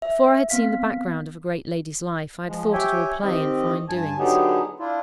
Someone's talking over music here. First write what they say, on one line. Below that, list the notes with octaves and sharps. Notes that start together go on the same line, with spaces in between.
Before I had seen the background of a great lady's life, I had thought it all play and fine doings.
E5
B3 C4 F5 B6
F3 G#3
G4 C#5 E5 G5 G#5
D#3 C4 G4 D#5
G2 G#5 A5
D3 F#3 B3 D#4 G4 G#4
D4 E4 F4